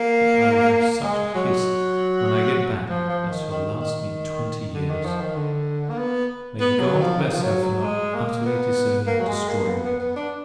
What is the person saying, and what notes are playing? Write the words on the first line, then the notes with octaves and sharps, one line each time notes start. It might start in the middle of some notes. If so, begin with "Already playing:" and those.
But I will have such a kiss when I get back, as shall last me twenty years. May God bless her for not utterly disowning and destroying me!
Already playing: A#3
G#3
F#3
F3
F3
D#3
D#3
D#3
D3
D#3
F3
D#3
D3
A#3
B3
B3
F#3
F3
D#3
F3
F#3
F#3
G#3
A#3
B3
A#3
F#3
G#3
A#3
B3
B3
B3
D4